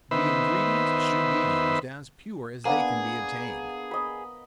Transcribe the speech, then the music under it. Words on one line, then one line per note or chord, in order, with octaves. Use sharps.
The ingredients should be used as pure as they can be obtained.
D#3 B3 B4 C5 E5
A#3 B3 D4 G#4
D#5 B5